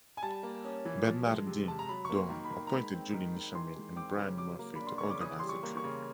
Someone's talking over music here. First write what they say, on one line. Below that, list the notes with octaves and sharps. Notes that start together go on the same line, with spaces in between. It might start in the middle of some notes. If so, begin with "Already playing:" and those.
Bernardine Dohrn appointed Julie Nichamin and Brian Murphy to organize the trip.
G#5
G3 A5
A#3
C#4
E3
F3
G#3
C3
C3 A5
A#5
F#3 B5
A#3 C#6
C6
D#3
B5
D#3
A#5
G#3 B5
C4
D#3
D#3
E3 C6
G#3
C4 D6
C#3
F#3 D6
A#3
D4 B5
C6
C#3 C#6
D6
E3 D#6
G3 C6
C#6
A#3
C#6
C#3